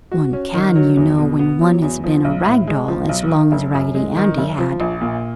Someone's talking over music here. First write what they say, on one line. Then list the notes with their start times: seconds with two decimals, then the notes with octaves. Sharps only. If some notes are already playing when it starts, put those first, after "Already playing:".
One can, you know, when one has been a rag doll as long as Raggedy Andy had.
0.12 F#4
0.33 C#4
0.54 D#3
0.76 F#3
0.97 E2
1.18 B2
1.39 B3
1.61 F#3
1.82 E2
2.04 F3
2.25 B1
2.46 A2
2.67 G#3
2.88 F3
3.09 B1
3.31 D#3
3.52 F#1
3.74 F#2
3.95 G#3
4.17 D#3
4.38 F#1
4.58 F3
4.80 A#1
5.01 A#2